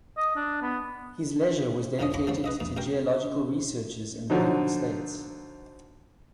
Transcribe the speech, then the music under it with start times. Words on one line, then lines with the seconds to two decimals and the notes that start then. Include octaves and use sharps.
His leisure was dedicated to geological researches in the papal states.
0.17 D#5
0.36 D4
0.62 B3
1.99 F2 D3 F3 C#4 C#5 D#5
2.14 A#5 B5 C#6 D6
2.27 D3 F3 G3 C4 C#5
2.44 B4 D#5 E5
2.60 F2 A#2
2.77 B2 F#4 A#4 G5
4.30 D3 F3 F#3 D#4